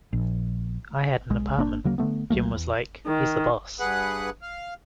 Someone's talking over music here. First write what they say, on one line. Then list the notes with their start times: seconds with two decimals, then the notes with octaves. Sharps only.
I had an apartment; Jim was, like, "He's the Boss".
0.13 A#1
1.30 B1 G#3
1.57 G1 A#3 D4
1.84 D2 C#3 F#3 A#3
1.98 D3 F3 A3 B3
2.30 C2 F#3 A3 A#3
2.55 E2
3.06 D#3
3.80 G2 G#4 B4 F#5 F#6
4.42 F5